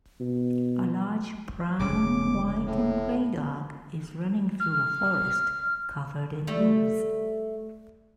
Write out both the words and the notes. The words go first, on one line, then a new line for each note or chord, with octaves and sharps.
A large brown, white, and gray dog is running through a forest covered in leaves.
B2
F1 D2 C#3 G#3 D6
A2
F6
G3 A3